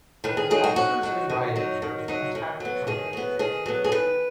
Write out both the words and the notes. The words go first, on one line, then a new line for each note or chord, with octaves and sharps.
Officers in riot gear attacked protesters.
D#3 B4
G#4
F#3 D#4 G#4
F#4
D#3 F#4
F#3 D#4
D#3
F#3 D#4
D#3
F#3 D#4
D#3
F#3 B3
D#3 G#4
F#3 B3
D#3 G#4
F#3 B3
G#4
D#3 B4